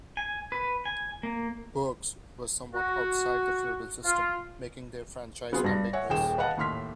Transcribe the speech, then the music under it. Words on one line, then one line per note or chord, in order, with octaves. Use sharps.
Burghs were somewhat outside the feudal system, making their franchise ambiguous.
G#5
B4
G#5
A#3
F#4
F4
F#3 B3 C4 F4 G#4
G2 A#6
C#5 E5 F#5 G#5
D#1 D#2 G#4 G5 E7
B4 D#5 F5 F#5 A5
D#2 A2 C6 F6 B6